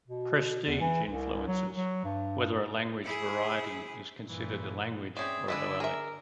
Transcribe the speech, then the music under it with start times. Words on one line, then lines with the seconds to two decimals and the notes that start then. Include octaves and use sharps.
Prestige influences whether a language variety is considered a language or a dialect.
0.08 B2
0.67 E2
0.81 E3
1.08 C2
1.47 F#3
1.75 F#3
2.05 G2
3.04 E4 G#4
4.25 G2 A#2 E3
5.17 C4 C#4 G#4 D5 E5 G5
5.48 D3 G#3 E4 B4 D5 D#5 E6
5.80 G#4 A#4 E5